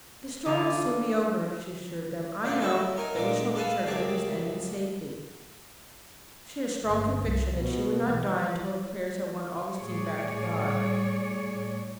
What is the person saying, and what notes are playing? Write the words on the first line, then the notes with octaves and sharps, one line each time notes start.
"The storm will soon be over," she assured them; "I know that we shall reach our journey's end in safety." She had a strong conviction that she would not die until her prayers had won Augustine back to God.
D3 E3 F4
D2 D4 F4 D5 F#5
E4 F#4 A4 D#5 E5
D#4 A#4 G#5
A#2 D3 G#3 A#4 D6
A4 B4 F5 G#5 A5
C#2 F#2 C3 G#4 A5 D6
G1
C2
B2
E3
A2 G3 G#4 C#5 D5